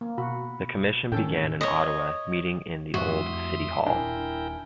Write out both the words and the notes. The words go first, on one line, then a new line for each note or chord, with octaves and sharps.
The Commission began in Ottawa, meeting in the Old City Hall.
A#3
B2 F#4 B5
A2 D#3 C#4 A4 G5
C#5 D#5
F2 A2 F#4 E5 C6 D#6
D#1 A#2 D4 E4 A#4 G5 G#5